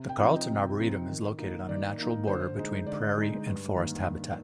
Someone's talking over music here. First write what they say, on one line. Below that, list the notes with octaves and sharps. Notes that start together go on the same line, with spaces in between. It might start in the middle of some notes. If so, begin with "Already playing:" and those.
The Carleton Arboretum is located on a natural border between prairie and forest habitat.
Already playing: C3
G5
F3 C4 D#4
D#5
C3
F3 C4 D#4
D#3
A#3 D#4
D#3 D5
A#3 D#4
D3 C5
G#3 D#4
D3 D5
G#3 D#4
G2
D#3 A#3